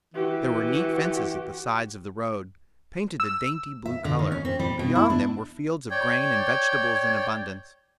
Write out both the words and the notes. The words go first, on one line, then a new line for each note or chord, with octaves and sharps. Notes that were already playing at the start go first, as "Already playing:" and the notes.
There were neat fences at the sides of the road, painted a dainty blue color, and beyond them were fields of grain and vegetables in abundance.
E3 F#4 G4
E6
E5
D3
D#3
C#4
C4
G3
B2
E4
D4
C#5 D5 G5 G#6